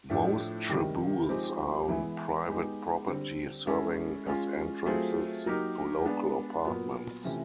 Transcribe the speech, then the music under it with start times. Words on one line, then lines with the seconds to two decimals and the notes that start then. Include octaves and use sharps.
Most traboules are on private property, serving as entrances to local apartments.
0.10 A2 F3 A3 D4
0.69 C3 D#3 G3
1.29 F3 G#3 C4 D#4 G4
1.89 E3 G#3 B3 E4
2.48 G#3 B3 D#4 G4 B4
3.08 D3 G3 C4
3.67 G#3 C#4 E4 A4
4.26 G#3 C#4 F4
4.86 F#3 A3 C4 F4 G#4
5.46 F#3 A#3 D#4 G4 A#4
6.05 G#3 B3 D4
6.65 A#2 F#3 B3
7.24 C3 E3 A3 C#4 F4